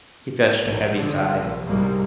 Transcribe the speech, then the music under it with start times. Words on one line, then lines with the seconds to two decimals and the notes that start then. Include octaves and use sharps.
He fetched a heavy sigh.
0.58 A#1 G#2
0.94 G#1 G2 D3 F3
1.35 A#1 F#2 C3
1.65 C2 G#2 C3 G3 G#3 A#3